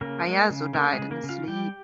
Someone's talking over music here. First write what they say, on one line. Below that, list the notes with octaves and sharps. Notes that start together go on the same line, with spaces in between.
Caiazzo died in his sleep.
C#3 A#3 A#4
G#3
C#3
C#3 A#3 A#4
G#3 G#4
C#3
A#3 A#4
C#3
F4 F5
G3 G4 G5